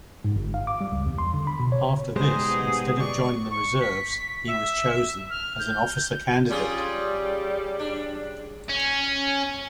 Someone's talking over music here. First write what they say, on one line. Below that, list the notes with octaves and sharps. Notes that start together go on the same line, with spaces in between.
After this, instead of joining the reserves, he was chosen as an officer candidate.
G#2
G1
F5
D6
G3
C#2
E2
C6
D3
B5
B2
C#5
B2 G3 G#3 D#4 G4 G#4 C5
B3
D5 C#6
C#6
B6
E5
F6
G6
G3 C#4 F4 G#4
D4
C#4